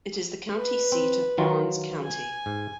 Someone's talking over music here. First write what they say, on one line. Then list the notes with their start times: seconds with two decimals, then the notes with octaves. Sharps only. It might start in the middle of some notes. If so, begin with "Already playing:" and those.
It is the county seat of Barnes County.
0.57 B4
0.92 C4
1.38 D#3 F#3 F4
2.05 G#5
2.46 G#2